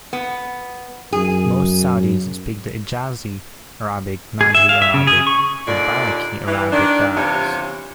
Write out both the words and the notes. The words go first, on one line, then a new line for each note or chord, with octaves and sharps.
Most Saudis speak the Hejazi Arabic, Najdi Arabic and Bareqi Arabic dialects.
B3
F#2 G#4
G#4
E5
F5
E5
C#3
G#4
C#6
D#2 A#2 D3 D#4 D5
E3
D#3 D4
E2 G2 C3 F4 C#5